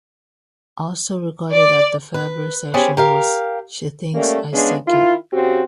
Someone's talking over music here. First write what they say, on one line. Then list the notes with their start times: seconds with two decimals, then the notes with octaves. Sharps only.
Also recorded at the February session was "She Thinks I Still Care".
1.53 D5
2.14 B4
2.74 B3 C#4 G4 G#4 C5
2.97 G4 A#4 F5
4.14 G3 A3 A#3 C#4
4.52 C#3 G#3 B3 D4
4.86 D#3 E4 F4
5.32 C#3 C4 F#4 G4